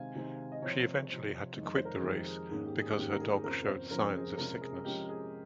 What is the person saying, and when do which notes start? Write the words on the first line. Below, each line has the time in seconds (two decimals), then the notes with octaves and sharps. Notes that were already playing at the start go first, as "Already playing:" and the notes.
She eventually had to quit the race because her dogs showed signs of sickness.
Already playing: C3 D#3 G#3 C4 F5 G#5
0.15 C3 D#3 G#3 C4
0.52 D#5
0.62 C3 F3 C4 C#5
1.10 C3 F3 C4
1.56 F2 D#3 G#3
1.77 C5
1.85 A#4
1.95 G#4
2.03 F2 D#3 G#3 G4
2.27 G#4
2.50 G#2 D#3 A#3 C#4 G#4
2.66 G4
2.82 G#4
2.97 G#2 D#3 A#3 C#4 G4
3.13 A#4
3.21 G#4
3.44 F2 C#3 F3 C4 A#4
3.64 A#4
3.68 C5
3.91 F2 C#3 F3 C4 A#4
4.15 G#4
4.37 C3 F3 G#3 C#4 A#4
4.61 G#4
4.85 C3 F3 G#3 C#4 G4
5.09 G#4